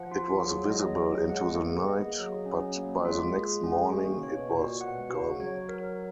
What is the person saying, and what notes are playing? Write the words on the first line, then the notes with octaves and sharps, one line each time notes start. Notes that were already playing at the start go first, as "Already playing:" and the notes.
It was visible into the night, but by the next morning it was gone.
Already playing: F3 F#5
F4
F#3 G#4
D#5
G#4
G#3 F#5
A#3
G#4
B3
D#5
A#3
F#3 G#4
C#4
A#3
G#3 F4
G#4
C#4
A#3 F#4
D#3
C#3
B2 C#5
A#2 F#4
B2 F#5
C#3 F#4
F#3 C#5
A#4